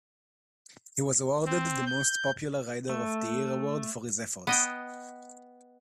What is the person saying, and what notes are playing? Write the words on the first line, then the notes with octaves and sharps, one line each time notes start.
He was awarded the Most Popular Rider of the Year Award for his efforts.
C4
G6
A3
B3 D#5 G5